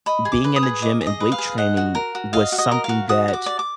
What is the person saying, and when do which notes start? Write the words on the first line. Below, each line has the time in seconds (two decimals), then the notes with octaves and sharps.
being in the gym and weight training was something that
0.06 D#5 B5
0.25 G#4
0.32 D6
0.44 B4
0.56 D#6
0.63 G#4
0.82 D#5 D6
1.01 G#4
1.07 D#5
1.20 B4
1.32 F5
1.38 G#4
1.58 D#5 F#5
1.77 F#4
1.95 A#4
2.15 F#4
2.33 D#5 F5
2.52 F#4
2.58 D#5
2.71 A#4
2.84 F5
2.89 F#4
3.09 F#4 D#6
3.28 F#4
3.33 D6
3.46 D5
3.59 D6